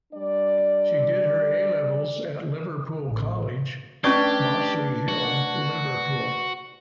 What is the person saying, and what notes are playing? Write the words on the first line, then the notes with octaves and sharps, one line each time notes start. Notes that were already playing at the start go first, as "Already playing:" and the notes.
She did her A-levels at Liverpool College, Mossley Hill, Liverpool.
G3 D4 D5
A1
A3 C#4 D4 G4 B4 C#6 D6 G#6
F#4